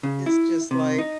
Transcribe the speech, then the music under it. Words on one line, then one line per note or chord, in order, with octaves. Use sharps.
it's just, like
C#3
E4
C3
D#4